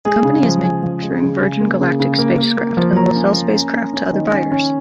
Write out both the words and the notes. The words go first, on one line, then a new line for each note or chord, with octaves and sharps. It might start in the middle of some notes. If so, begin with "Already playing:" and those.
The company is manufacturing Virgin Galactic's spacecraft and will sell spacecraft to other buyers.
G#3 G#4
C#3
G#4
F3
C#3 G#5
F3
G#3
C#3
C#3
A#3
C#3
C#3
A#3
A#3
A#3
F3
A#3 A#5
C#4
A#3
C#4
C#4
C#4
D#3
C#4
C#4